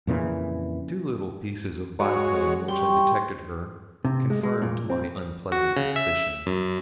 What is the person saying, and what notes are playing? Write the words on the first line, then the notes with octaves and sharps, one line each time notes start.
Two little pieces of by-play in which I detected her confirmed my unpleasant suspicion.
F2 A#2 C#3 E3
G#3 F#4 C#5
G3 G5 C6 C#6
C3
G#3
G#3
A#2
C4
F#4
C#3
E5
F#2